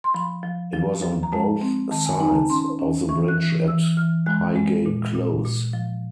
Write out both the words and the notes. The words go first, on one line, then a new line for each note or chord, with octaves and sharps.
It was on both sides of the bridge at Highgate Close.
C6
F3 B5
F3
F3
F3
A#5
G#3 A5
C4
D#3 A5
G#5
D#4 G#5
A#5
A5
C#4 C6
C#4
E3 C#6
F#6
E3
E3 E6
E3 F6
G#3 F#6
G#3
A#2
A#2
A#2
F3